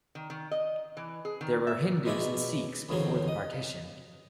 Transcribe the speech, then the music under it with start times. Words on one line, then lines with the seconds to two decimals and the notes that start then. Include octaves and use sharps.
There were Hindus and Sikhs before the partition.
0.15 D#3
0.30 D#3
0.51 D#5
0.97 E3
1.25 G#4
1.41 D#3
1.67 E5
2.05 B2 F#3 G#3 D5 E5
2.89 A1 D2 G2 C#3 F#3 C5
3.28 D#5